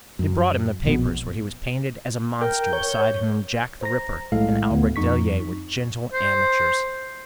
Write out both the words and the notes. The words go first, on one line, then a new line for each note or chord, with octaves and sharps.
They brought him the papers, where he was painted as a monster beside whom Jack the Ripper and Albrecht Delier were gentle amateurs.
F#2
A#1 B2 B3
A#4 G5
C#5 G6
C5 A#5 A#6
B1 A2 G#3 A4 F5
D2 B3
F2 D#4 C#6 B6
C5